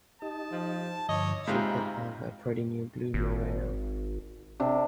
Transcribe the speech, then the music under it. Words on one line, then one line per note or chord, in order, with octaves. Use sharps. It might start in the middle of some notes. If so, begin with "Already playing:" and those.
She put on her pretty new blue merino.
D#4 G4 D#5 A5
F3
G2 D3 F3 C#5 D#5
G#2 C3 F4 F5 A#5 B5
G#1
C3 D4